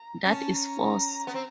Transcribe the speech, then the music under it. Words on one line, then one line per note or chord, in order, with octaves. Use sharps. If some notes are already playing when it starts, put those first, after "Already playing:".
That is force.
Already playing: A#5
C#4 A5
A#5
A#5
B3
C4